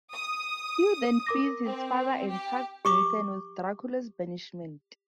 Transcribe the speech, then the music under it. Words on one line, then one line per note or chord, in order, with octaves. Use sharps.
Hugh then frees his father and tasks Nathan with Dracula's banishment.
D#6
A#4 D6 A#6
C4
G4
G4 C#6 D6